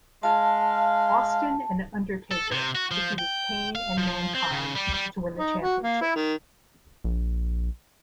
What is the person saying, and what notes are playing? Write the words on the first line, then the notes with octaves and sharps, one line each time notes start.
Austin and Undertaker defeated Kane and Mankind to win the championship.
G#3 F5 A5
A4
C3
F#4
F3
G5
F5
F3
C4
C#3
G3
G3
D#4
F#4
A#3
E4
D#3
A#1